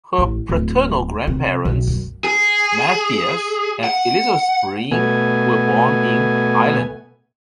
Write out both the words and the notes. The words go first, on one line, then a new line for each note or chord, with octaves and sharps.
Her paternal grandparents Matthias and Elizabeth Breen were born in Ireland.
A1
D1
C3
B1
F#2
G#4
F#5
B2 A3 B3 G#5